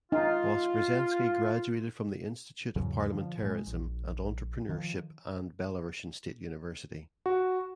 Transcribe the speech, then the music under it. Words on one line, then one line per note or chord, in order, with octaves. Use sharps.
Voskresensky graduated from the Institute of parliamentarism and entrepreneurship and Belarusian State University.
D#4 F4
E2 G#2 C#3 F#3
D3 F3
A2 G#3
A#1
D#3 F3
F#4